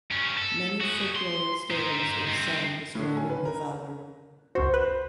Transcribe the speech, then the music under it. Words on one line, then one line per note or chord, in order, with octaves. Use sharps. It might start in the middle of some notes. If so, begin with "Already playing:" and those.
Many folkloric stories were sung describing her valour.
G2 C#4
A4
F#4 G#4
C6
D#4 C5
G2 C4
A2 D3
D#3 F#3 G#5
B4
A#4
C#2 F#2 F#4 C5
B4